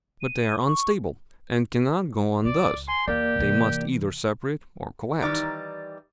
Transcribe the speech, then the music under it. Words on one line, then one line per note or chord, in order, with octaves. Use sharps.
But they are unstable, and cannot go on thus: they must either separate or collapse.
D#7
C#6
C#2 D5
G#5 C6
E2 A#3 G4 A#4 D5
C3 E3
D#3 E3 G3 D#4 D5 A#5